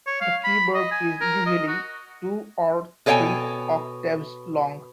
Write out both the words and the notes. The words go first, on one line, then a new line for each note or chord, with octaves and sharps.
The keyboard is usually two or three octaves long.
C#5
F5
B5
D#5
G#5
A#4
D#5
F#4
B2 A4 C#5 E5 G5 G#5